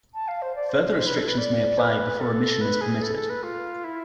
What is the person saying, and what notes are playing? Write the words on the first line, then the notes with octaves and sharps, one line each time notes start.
Further restrictions may apply before omission is permitted.
A5
F5
C5
D5
C5
C5
C5
B4
A4
B4
D5
B4
A4
B4
G#4
A4
A4
B4
F4
E4